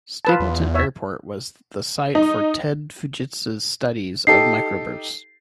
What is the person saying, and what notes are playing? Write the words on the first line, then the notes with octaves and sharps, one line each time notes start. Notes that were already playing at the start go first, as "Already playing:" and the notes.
Stapleton Airport was the site for Ted Fujita's studies of microbursts.
F4 B4 A5
E2
C#5 E5
D#4
D#4 G4 A4 C7